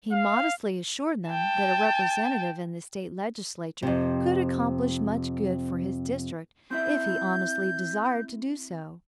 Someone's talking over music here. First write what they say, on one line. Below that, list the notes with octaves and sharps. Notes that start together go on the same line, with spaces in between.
He modestly assured them that a Representative in the State Legislature could accomplish much good for his district if he honestly desired to do so.
F5
G5 A5
F2 C3
C4 E4 E5 G6